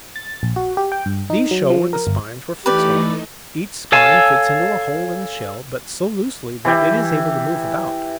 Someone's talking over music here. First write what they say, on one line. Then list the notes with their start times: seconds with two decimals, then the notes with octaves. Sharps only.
These show where the spines were fixed on; each spine fits into a hole in the shell, but so loosely that it is able to move about.
0.16 A6
0.43 A#1
0.56 F#4
0.77 G4
0.92 G5
1.06 G2
1.30 D#4
1.51 F#3
1.70 F3
1.93 A#4
2.07 G1
2.66 E3 A3 D#4 G4 B4 D5
3.92 A4 C#5 F5 G#5 A5
6.65 E3 E4 G4